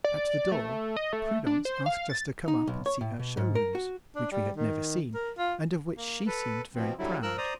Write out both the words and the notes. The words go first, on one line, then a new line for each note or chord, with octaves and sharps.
At the door, Prudence asked us to come up and see her showrooms, which we had never seen, and of which she seemed very proud.
D5
A3
D#5
A3
D4
C5
F5
A6
D#4
B1
C#5
A2
B2
G#2
A#4
F#4
D4
G3
D#3
A#4
F4
A#3
A4 B4
B2 F3 C4
D3 F#3 G3 E4
F3 A#4 E6 F#6
C5 D5 A#5 D#6